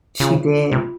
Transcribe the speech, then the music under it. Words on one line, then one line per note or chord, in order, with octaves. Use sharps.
She did.
C#3 F4
C3 F4